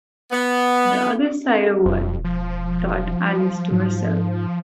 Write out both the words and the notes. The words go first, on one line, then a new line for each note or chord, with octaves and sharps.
The other side of what?’ thought Alice to herself.
B3
E1 F2
F3
G#2